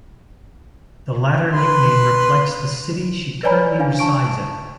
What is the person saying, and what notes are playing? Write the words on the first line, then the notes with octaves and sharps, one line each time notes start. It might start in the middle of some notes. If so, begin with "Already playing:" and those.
The latter nickname reflects the city she currently resides at.
B4 C6
B4 C#5 D5 G#5 A#5 B5
D4 F5 G#5
A5 C#6 D7